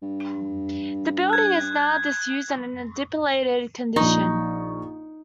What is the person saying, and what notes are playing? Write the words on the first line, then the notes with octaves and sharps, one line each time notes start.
The building is now disused and in a dilapidated condition.
G2
F#6 G#6
A#1 D#4 C#6